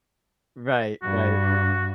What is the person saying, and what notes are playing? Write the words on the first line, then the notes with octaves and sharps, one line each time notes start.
Right. Right.
G2 F#4